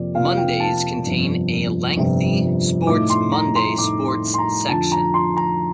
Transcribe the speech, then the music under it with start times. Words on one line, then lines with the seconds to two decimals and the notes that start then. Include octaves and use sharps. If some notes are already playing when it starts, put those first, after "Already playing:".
Mondays contain a lengthy "SportsMonday" Sports section.
Already playing: F2 C3 A#3 D5
0.15 F2 C3 F3 A#3 F5
0.37 G5
0.60 A5
1.06 G1 F2 C3 F3
1.96 G1 F2 C3 F3
2.87 A2 A3 D#4 D6
3.10 C6
3.32 A#5
3.56 C6
3.78 A2 A3 D#4 D6
4.08 C6
4.34 C6
4.38 A#5
4.69 F2 D3 F3 A5
4.92 A#5
5.14 C6
5.37 A#5